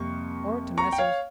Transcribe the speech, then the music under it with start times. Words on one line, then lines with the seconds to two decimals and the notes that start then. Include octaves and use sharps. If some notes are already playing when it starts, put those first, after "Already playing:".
Or to Messrs.
Already playing: F2 C3 G3 A#3 C#6
0.78 A#5 C#6
0.93 G5
0.98 C#5 F5